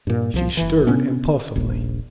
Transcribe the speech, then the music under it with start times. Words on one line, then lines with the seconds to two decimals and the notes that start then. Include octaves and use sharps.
She stirred impulsively.
0.07 G2 A#2
0.34 C2 F3
0.57 F#1 E3
0.87 C3 B3 C#4 D4
1.56 D#1 A#1